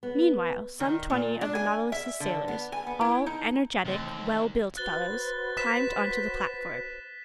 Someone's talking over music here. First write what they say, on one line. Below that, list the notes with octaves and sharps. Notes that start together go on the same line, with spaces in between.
Meanwhile some twenty of the Nautilus's sailors--all energetic, well-built fellows--climbed onto the platform.
B3
D#3
A#2
D4
G#5
E5
D3
B3
G#5
B3
E4
D#4
D#2 C3 E3 A3 C4
F#4 B4 C5 F#6 A6 G7
B6 E7